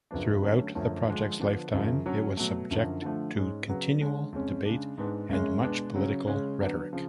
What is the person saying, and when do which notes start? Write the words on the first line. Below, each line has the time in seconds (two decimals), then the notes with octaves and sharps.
Throughout the project's lifetime it was subject to continual debate and much political rhetoric.
0.11 F#2 C#3 F3 B3 D4
0.42 D3 F#3 A3 C#4
0.75 F#2 D3 F3 A3 C#4
1.08 D3 F3 G#3 D4
1.40 D3 F3 B3 D4
1.73 F#2 C#3 F3
2.06 D3 F#3 C#4
2.37 B2 F#3 A3
2.71 F#2 D3 F3
3.02 D3 F3 A3
3.35 G#2 G#3 C#4
3.68 C#3 F#3 B3
4.01 D3 G#3 C#4
4.32 F2 C#3 G#3 C#4
4.65 C#3 G#3 D4
4.98 G#2 G#3 B3 D4
5.29 F#2 C#3 G#3 C#4
5.62 B2 G#3 B3 D4
5.95 C#3 F#3 C#4
6.27 C#3 G#3 C#4
6.60 D3 F#3 B3 D4
6.93 C#3 F3